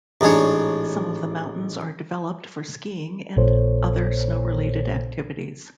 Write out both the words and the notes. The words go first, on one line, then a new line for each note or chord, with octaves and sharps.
Some of the mountains are developed for skiing and other snow-related activities.
A1 G#2 D4 G#4 C#5
A#1 A#2 A4 C5 C#5